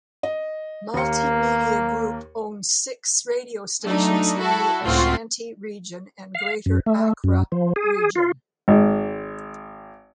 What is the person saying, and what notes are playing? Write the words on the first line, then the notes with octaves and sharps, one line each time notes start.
Multimedia Group owns six radio stations in the Ashanti Region and Greater Accra Region.
D#5
D#2 A#3 C#7
F#3 A3 D4 D#4
E4 F#4 A4
C#2 A2 C4 F4 F#4 C6
F5
F#2
A3
F#2
F3
G#4
F4
G#1